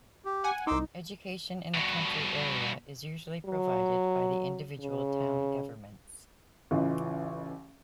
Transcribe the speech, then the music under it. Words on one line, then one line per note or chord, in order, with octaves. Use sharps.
Education in the county area is usually provided by the individual town governments.
G4
F#5 G#5
C2 D#4 C6 D6 E6
G2 B2
F#3
C#3
A1 C#3 E3 F4 D#5